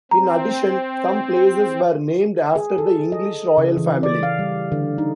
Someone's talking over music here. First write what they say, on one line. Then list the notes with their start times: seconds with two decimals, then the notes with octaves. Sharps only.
In addition, some places were named after the English royal family.
0.11 C4 A#5
2.56 G#4
2.78 A4
3.12 D#5
3.58 C#3
3.77 E3
4.03 D5
4.23 F5
4.39 G3
4.72 D3
4.98 D#4